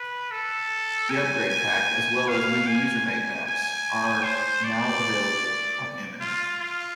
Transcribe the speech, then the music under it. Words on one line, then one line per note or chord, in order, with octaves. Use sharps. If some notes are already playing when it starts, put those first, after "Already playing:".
The upgrade pack, as well as many user-made maps, are now available on Aminet.
Already playing: B4
A4
G#5
G#5
F5
G#5
G#5
G#5
C5
D5
F4
F4